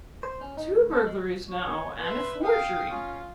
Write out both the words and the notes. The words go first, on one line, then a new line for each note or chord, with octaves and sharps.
'Two burglaries now, and a forgery!'
C5
C#4
D#4
D2
A4
G#3
C#5
B4 E5 C6
F5 G5 D#6
C#4 F4